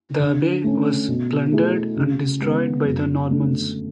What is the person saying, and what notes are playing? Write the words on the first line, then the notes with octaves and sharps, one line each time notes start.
The abbey was plundered and destroyed by the Normans.
D3
A3 C#4
B2
A3 E4 G#4
C#3
G#3 B3
F#2
D3 A3 D4